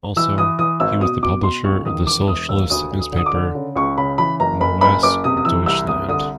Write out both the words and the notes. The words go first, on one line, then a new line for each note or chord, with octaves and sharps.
Also, he was the Publisher of the socialist newspaper "Neues Deutschland".
E3 E6
E3 D#6
E3 D#6
G#1 E6
B2 D#6
B2 D6
B2 C6
C#2 C#6
D#3 D#6
E1 D6
E1 D#6
D#2 E6
D2 D#6
D2
D#6
D3 D#6
D6
D3
C#3
C#2 C#6
C#3 B5
E3 B5
F#1 A#5
F#1 B5
F#1 B5
F#1 D6
C3 D#6
D#6
E3 E6
C2 E6
C2 D#6
D3 D#6